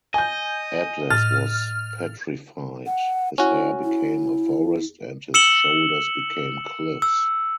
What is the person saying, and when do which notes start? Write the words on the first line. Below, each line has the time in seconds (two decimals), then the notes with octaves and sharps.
Atlas was petrified; his hair became a forest and his shoulders became cliffs.
0.14 D#5 G#5 G6
1.10 A2 F6 A6
2.86 F#5
3.38 C#4 E4 F#4
3.84 E4
5.34 E6 C#7 E7 F#7 G7
7.02 E6